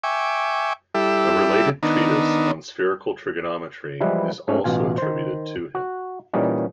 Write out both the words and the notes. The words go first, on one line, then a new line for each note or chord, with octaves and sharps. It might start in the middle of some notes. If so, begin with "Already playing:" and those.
A related treatise on spherical trigonometry is also attributed to him.
E5 G5 G#5 C#6 D6
G3 E4 G4 A4 E5
D#3 B3 D4 D#4
E3 F3 G3 G#3 E4 B4
G#2 A3 C#4
A1 B2 F4 G#5
D#3 C5
F#4
A#2 E3 G3 C#4 D#4